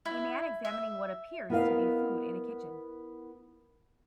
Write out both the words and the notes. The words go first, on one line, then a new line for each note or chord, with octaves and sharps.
A man examining what appears to be food in a kitchen.
E4
E5
B3 E4 A#4 D5 D#5 F5